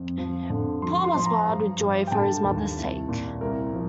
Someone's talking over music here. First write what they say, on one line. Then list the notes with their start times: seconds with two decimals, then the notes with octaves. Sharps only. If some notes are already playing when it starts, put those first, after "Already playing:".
Paul was wild with joy for his mother’s sake.
Already playing: F2
0.18 F3
0.50 D3
0.82 F3 C6
1.04 C6
1.15 F3
1.26 A#5
1.47 G2
1.79 G2
2.07 G5
2.12 D3 A5
2.44 D#2
2.77 C2
3.08 A#2
3.41 C2 A#4
3.73 F3